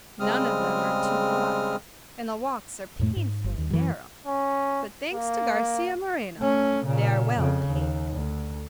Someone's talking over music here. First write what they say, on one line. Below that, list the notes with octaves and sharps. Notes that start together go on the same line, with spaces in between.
None of them are too wide, and the walks are painfully narrow; but, thanks to Garcia Moreno, they are well paved.
C#3 G3 G#3 C4 D#6 F6
F2 A2 A3
G#2
G1
D#2
F#2 E3
C#4
A#3
A3 C#4
A#2 C#3
F2 C#3
D#2
D2